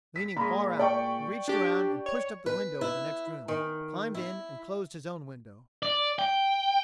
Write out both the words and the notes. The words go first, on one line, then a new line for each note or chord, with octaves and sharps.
Leaning far out, he reached around and pushed up the window of the next room, climbed in and closed his own window.
B6
A#2 G#3 A#5 B5
D5 G5 C#6
D4 G4
C#5
B4
E4
D#3
E4
D5
G5